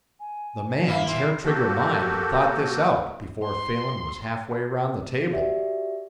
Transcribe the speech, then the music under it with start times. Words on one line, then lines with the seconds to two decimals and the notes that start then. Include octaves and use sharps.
The man's hair-trigger mind had thought this out before Phelan was half way round the table.
0.20 G#5
0.88 D#2 A#3 E4 F5
1.06 C6
1.44 A#3 F#4 G4 A4
3.44 C6
5.32 F#4 G4 D5 E5